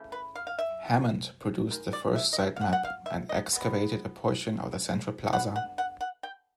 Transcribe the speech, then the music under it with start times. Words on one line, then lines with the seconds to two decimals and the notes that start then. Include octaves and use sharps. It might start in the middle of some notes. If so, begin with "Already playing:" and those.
Hammond produced the first site map and excavated a portion of the central plaza.
Already playing: C#3 E3 A3
0.12 B4
0.35 F5
0.47 F5
0.59 E5
1.71 D#3 G#3
1.93 D5
2.16 E5
2.33 D#5
2.39 E5
2.56 F5
2.61 F#5
2.73 F#5
2.85 F5
3.06 E5
3.29 D#5
3.52 B2 G#3 B3
5.32 D3 G3 B3 F#5
5.56 F#5
5.78 F#5
6.01 F#5
6.23 G5